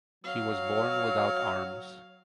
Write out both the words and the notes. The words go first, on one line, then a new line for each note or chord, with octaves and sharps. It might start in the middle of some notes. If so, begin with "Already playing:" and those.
He was born without arms.
F#3 F5